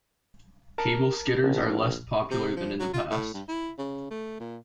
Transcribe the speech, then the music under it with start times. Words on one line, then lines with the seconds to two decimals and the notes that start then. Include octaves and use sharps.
Cable skidders are less popular than in the past.
0.78 A#4 A5
1.43 A#1
2.30 C3
2.56 F3
2.79 F#3
2.93 F4
3.10 A2
3.34 G2
3.48 E4
3.78 C#3
4.10 A3
4.40 A#2